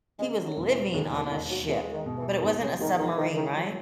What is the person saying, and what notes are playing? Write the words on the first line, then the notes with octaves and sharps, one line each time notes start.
he was living on a ship, but it wasn't a submarine, right?
C#3 G#3
F#3
E1
E3
D#2 C#3
D#3
D#2 D#3
F#3
E3 G#3
D#3
B2
E3
B2 D#3
C#3
D#3 G#3
D#3
D#3 E4
D#3
F#3